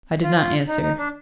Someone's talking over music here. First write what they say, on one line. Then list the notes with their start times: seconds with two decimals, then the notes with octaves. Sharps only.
I did not answer.
0.23 F4
0.68 D#4
0.82 D#4
0.98 D4